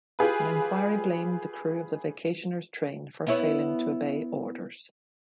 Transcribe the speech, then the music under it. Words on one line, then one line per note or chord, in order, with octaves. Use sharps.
An inquiry blamed the crew of the vacationers' train for failing to obey orders.
F4 G4 G#4 B4
B3 E4 C#5